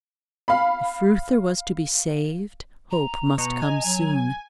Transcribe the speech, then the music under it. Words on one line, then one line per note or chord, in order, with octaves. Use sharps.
If Reuther was to be saved, hope must come soon.
F5 B5
A#5
B2 A#5 C#6
D#5 G#5
F#3